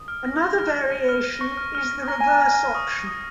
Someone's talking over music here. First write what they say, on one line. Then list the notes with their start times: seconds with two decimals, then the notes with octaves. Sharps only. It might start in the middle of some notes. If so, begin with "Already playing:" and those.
Another variation is the "reverse option".
Already playing: D#6
0.08 F6
0.25 A#6
0.42 A#6
0.59 F6
0.74 A#6
0.92 A#6
1.09 F6
1.25 D#7
1.41 C#6 A#6
1.57 F6
1.75 F6
1.92 A#6
2.08 A#5 A#6
2.21 G#5 D#7
2.32 A#5
2.42 A#6
2.58 A#6
2.75 C#6 D#6
2.91 D#7
3.07 D#6